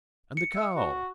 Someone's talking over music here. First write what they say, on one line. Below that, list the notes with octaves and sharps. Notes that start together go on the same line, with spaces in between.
"And the cow?"
C#7
E5
F#4